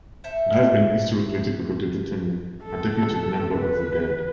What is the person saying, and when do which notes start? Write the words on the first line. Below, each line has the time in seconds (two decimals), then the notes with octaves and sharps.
It has been historically difficult to determine a definitive number of the dead.
0.24 A3 C5 E5 A5
2.64 A4
3.56 B4